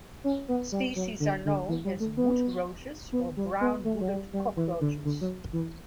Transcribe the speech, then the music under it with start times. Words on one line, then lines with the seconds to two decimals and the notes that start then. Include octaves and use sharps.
Species are known as wood roaches or brown-hooded cockroaches.
0.24 C#4
0.49 B3
0.72 G3
0.96 F#3
1.20 D3
1.45 D3
1.68 E3
1.85 G3
2.00 A3
2.17 B3
3.12 B3
3.37 G3
3.61 B3
3.85 A3
4.01 F#3
4.08 G3
4.33 G3
4.57 E3
4.81 D3
5.05 D3
5.21 F#3
5.53 E3